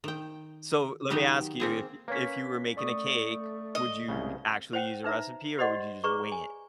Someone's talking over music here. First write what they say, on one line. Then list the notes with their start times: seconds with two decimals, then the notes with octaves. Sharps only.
So, let me ask you, if if you were making a cake, would you actually use a recipe, or would you just wing it?
0.04 D#3 G5
1.10 D#3 F#3 D#4 G4 B4
1.60 A#3 C4 G#4
2.08 A#3 C#4 B4 C#5 B6
2.77 A3 D5 C#6 D#6
3.75 D#5
4.08 C2 C#3
4.73 C5 C#5 F#5 G5
5.04 D#4 B4 E5 A5 A#5
5.58 G4 C5 D5 D#5 F#5 C6
6.04 G#4 B4 D5 A#5 C#6 D6
6.32 G#5